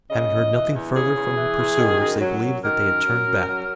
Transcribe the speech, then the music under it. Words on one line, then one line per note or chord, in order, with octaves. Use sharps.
Having heard nothing further from their pursuers they believed that they had turned back.
C#3 D#5
E2
E3
E2
C#3 G#4
E2
E3
E2
D#3
F#2
F#3
F#2
D#3 A#4
F#2
F#3
F#2
F#3